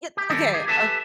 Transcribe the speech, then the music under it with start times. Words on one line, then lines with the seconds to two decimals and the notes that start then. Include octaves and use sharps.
Ye okay. O
0.17 G4
0.30 D#3 F#3 G#3 G4 A4 A#4
0.54 G4 G#4
0.68 G4 A4 B4 E5 G#5 A5